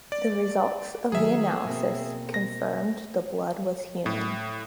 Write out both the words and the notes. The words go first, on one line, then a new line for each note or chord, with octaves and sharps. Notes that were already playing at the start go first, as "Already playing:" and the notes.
The results of the analysis confirmed the blood was human.
D5
D#3 F#3 G#4 E5
B2 A#3 C4
A#6
A2